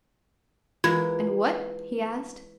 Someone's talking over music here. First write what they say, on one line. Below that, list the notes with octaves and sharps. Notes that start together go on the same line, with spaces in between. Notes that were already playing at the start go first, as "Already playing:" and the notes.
"And what?" he asked.
E3 G#3 A#3 F4 G#6